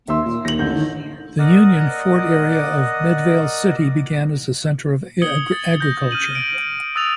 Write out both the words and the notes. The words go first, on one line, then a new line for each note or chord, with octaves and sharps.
The Union Fort area of Midvale City began as a center of agriculture.
D#2 E5 C6 E6
A#2
D#2 A#6 F#7
A1 D3 G6
D#3
A#4 D5 D#5 F#5 D#6
D#6 G#6 C#7 F#7 G7
A6
G6 A#6
F6 G6 D#7 F#7
D7
D#6 E6 F#6 A6 D7 F7